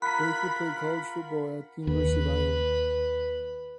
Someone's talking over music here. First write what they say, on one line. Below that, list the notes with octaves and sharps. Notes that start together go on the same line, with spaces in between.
Baker played college football at the University of Iowa.
F4 A#4 F#5 A#5 B5 F#6 B6
D#2 B4